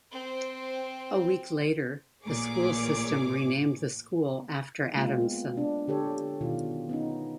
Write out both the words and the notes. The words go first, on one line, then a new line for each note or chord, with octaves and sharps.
A week later, the school system renamed the school after Adamson.
C4 C5
A1 A#2 G#4 C#5 D6
G#3 A#3 C4 F4
B3
D4
D3 G4 A4 C#5
B2 D#3 F4
B3 C#4 D#4